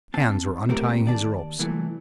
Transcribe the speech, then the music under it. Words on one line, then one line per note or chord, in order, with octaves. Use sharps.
Hands were untying his ropes.
C4 A5
A3 C4 G4 A#4
D#2 D5 A5
C2 A#2 E3 F#3 A3